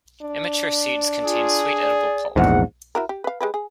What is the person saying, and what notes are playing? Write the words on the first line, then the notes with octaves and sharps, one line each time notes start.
Immature seeds contain sweet edible pulp.
D4
F4 G#4
D5
A#1 E2 G#2 F#5
E4 F#4 A#4
G4
B4 F5
G#3 G4 B4
G#4